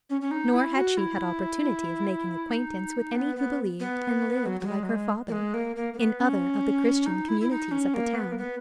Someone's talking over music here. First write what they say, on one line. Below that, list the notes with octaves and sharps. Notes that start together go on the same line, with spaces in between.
Nor had she had opportunity of making acquaintance with any who believed and lived like her father, in other of the Christian communities of the town.
C#4
C#4
D#4
E4
F#4
E4
D#4
B3
B3
B3
F#3
F#3
G#3
F#3
G#3
A#3
G#3
A#3
A#3
A#3
B3
C#4
D#4
E4
E4
D#4
C#4
A#3
B3
A#3
B3